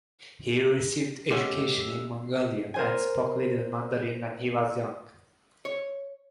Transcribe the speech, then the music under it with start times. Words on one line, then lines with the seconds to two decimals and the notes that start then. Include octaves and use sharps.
He received education in Mongolian and spoke little Mandarin when he was young.
1.31 B2 G#3 A3 C#4 G4 E5 F#5 D6
2.74 A#4 C5 G#5
5.65 C#5